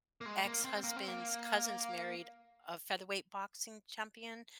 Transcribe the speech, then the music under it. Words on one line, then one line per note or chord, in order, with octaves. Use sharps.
ex-husband's cousins married a featherweight boxing champion,
A#3
G#3
A#3
C4
A#3
C4
A#3